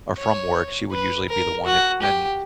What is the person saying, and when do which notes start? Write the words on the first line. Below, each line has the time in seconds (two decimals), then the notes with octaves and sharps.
or from work, she would usually be the one, if men
0.19 C#5
0.91 B4
1.29 A#4
1.65 F#4
2.02 G4